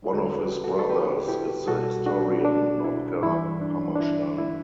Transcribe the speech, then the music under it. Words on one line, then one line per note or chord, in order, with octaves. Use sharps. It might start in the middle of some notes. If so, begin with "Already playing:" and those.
One of his brothers is the historian Notker Hammerstein.
E2 D3 G3 F#4 A4
G4 B4
F#4 A4
A4
G4 B4
E4 G4
C2 B2 G3 F#4 A4
D4 F#4
D4
E4
G2 E3 G3 E4
D4
D4
E4
E4